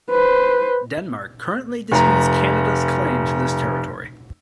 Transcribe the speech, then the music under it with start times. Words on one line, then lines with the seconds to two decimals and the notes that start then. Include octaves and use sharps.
Denmark currently disputes Canada's claim to this territory.
0.11 B4 C5
1.92 F1 A#5